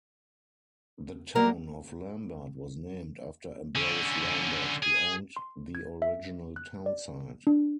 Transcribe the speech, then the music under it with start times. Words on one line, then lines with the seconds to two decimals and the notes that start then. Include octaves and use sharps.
The town of Lambert was named after Ambrose Lambert, who owned the original townsite.
1.35 F#3 G3 A#3 A#4
3.75 D3 C#4
4.82 G#4
5.36 C6
5.75 G#6
6.02 E5
6.56 F#6
6.86 D5
7.47 D4